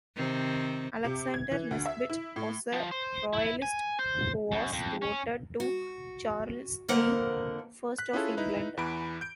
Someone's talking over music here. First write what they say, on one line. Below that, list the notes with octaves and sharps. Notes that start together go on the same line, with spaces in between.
Alexander Nesbit was a royalist who was devoted to Charles the First of England.
C3 D#3 C4
C3
G#6
E3
D2
E5
E4
A2
F3
C5
E4
G#5
C5
F#2
F2
C#4
F#4
F2 D3 A#3 A#4 C5 F#5
F#6 B6
C#4 E4 F4 G#4 A4
D#4 E4 B4
E2 E3 B5 D7
G6 D7